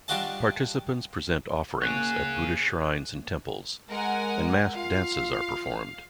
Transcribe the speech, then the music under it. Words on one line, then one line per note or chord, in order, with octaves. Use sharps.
Participants present offerings at Buddhist shrines and temples, and masked dances are performed.
G3 D4 F4 F#4 D#5 A5
A#3 G#4 C#5 F#5
G#3 A#4 F#5 G#5
F4 F5